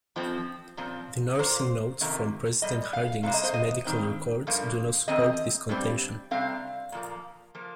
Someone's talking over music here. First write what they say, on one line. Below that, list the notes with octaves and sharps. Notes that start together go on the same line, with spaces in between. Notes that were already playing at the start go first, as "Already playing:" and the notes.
The nursing notes from President Harding's medical records do not support this contention.
F2 F3 C4
A#2 F3 C4
A#2 A#3 C5
F2 C3 D#3 A#3
A#2 G3 D#5
F5
C3 G3 A#3 F5
D#5
C5
D#5
G2 D#3 C4
G2 F3 A#3
F2 D#3 C4 D#5
G2 G3 C4
C3 G3 C4 F5
A#2 F3 A#3
F3 A#3